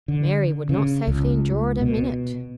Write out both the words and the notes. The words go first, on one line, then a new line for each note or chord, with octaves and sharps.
Mary would not safely endure it a minute.
D3
C#3
C#2
B2